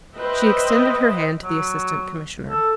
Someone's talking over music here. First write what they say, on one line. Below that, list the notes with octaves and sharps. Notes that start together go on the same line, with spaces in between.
She extended her hand to the Assistant Commissioner.
B4 C5 D#5 E5 G5
F#3
A4